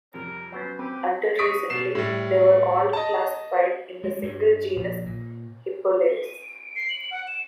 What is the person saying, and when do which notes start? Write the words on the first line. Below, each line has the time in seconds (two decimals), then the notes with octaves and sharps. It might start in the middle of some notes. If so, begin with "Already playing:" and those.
Until recently, they were all classified in the single genus "Hippolais".
0.14 F2 C3 G3 A#4
0.52 F#3 B3 C#4 C5
0.79 C4 G4 B4
1.38 C#6 D#6 B6 D7
1.70 B2 C7 E7
1.95 A2 G3
2.93 D#5 A5
4.04 G#3
4.23 G2
4.76 A#1
5.06 A#2
6.76 C7
6.89 F#7
7.11 F#5
7.28 E7